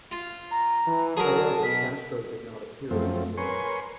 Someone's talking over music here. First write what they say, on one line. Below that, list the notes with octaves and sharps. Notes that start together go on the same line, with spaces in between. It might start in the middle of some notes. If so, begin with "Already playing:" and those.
However, Castro did not appear in the series.
F4
A#5
E3
F#3 G#4 A#4 A5
B2 B6
F#2 F3 A3 C4
A#4 B4 C#5 G#5 C6 C#6